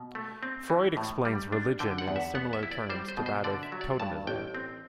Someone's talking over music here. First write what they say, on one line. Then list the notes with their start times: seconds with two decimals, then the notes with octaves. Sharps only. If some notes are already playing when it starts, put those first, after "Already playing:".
Freud explains religion in a similar term to that of totemism.
Already playing: B2
0.15 A3
0.43 C4
0.70 E3
0.97 A2
1.25 G3
1.52 D4
1.79 D3 G5
1.98 F#5
2.08 E2
2.16 E5
2.35 B3 F#5
2.53 E5
2.63 E4
2.71 D5
2.90 G3 C5
3.08 C5
3.17 B2
3.26 C5
3.44 D3 D5
3.63 E5
3.72 F#3
3.81 D5
4.00 G2 A5
4.27 A1 G5
4.55 C4